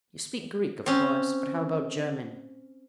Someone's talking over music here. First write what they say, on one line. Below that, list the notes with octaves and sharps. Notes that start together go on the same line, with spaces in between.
You speak Greek, of course; but how about German?'
C4 C#4